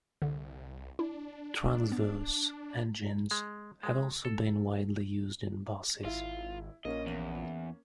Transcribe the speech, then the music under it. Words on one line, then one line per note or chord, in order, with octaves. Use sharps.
Transverse engines have also been widely used in buses.
C2 D3
D4 E4
B3
G#3
G#3
A4
G#1 E4 F4
A#1 A#3 C#4 D#5
E2